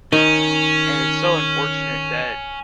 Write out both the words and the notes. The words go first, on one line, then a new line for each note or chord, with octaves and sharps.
and it's so unfortunate that
D#3 C#4